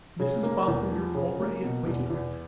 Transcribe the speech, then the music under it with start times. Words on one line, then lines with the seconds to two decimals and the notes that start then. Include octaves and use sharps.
'Mrs Boffin you're already acquainted with.
0.20 C#3
0.43 A#3
0.67 E2
0.91 F3
1.14 C#3
1.39 A#3
1.63 B2
1.86 E2
2.10 E2